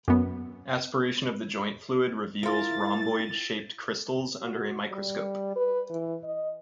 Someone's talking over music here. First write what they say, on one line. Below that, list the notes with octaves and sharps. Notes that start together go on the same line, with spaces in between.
Aspiration of the joint fluid reveals rhomboid-shaped crystals under a microscope.
F#2 B3
E4 F4 A#4 A6
F#4
G3
B4
E3
D#5